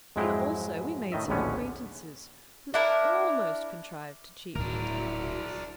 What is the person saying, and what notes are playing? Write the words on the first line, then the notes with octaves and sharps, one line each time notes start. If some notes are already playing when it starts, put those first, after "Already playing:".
Here also we made some acquaintances, who almost contrived to cheat me into happiness.
F2 G#2 F#3 G#3 E4 G5
A2 D#3 D#5 E5
A#1 D#2 A2 D3 B3 C#4
D4 E4 A#4
D1 F#3 D4 E4 F#4 A#4